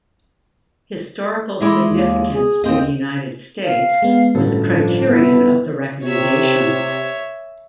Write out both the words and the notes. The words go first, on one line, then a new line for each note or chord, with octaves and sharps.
Historical significance to the United States was a criterion of the recommendations.
E3 G#3 E4 D5
D#2
G#4
D#2 C4 D#5
F5
G#3 B3
G1 A2 C#4 F#4 A4
F3 D4
B3 E4
C3 C#5 E5